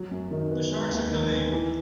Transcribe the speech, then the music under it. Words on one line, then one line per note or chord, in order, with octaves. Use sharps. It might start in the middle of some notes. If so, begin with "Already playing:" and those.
The sharks are coming!
Already playing: F#3
F#2
D#3
B3
G#3
D#2
D#3
B3
E3